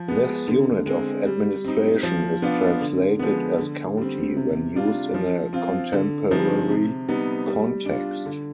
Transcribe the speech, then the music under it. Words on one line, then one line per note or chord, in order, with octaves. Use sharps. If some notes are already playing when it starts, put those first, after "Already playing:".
This unit of administration is translated as "county" when used in a contemporary context.
Already playing: F3
G#3 B3
D3
G#3 C4
G3
C4 D#4
F3
B3 D4 F4
D3
F3 G#3 B3
D3
G3 C4
C3
G3 D4 F4
F3
C4 F4
D3
F3 G#3 C4 D#4
C3
G3 B3 D#4
G3
D4 F4
D3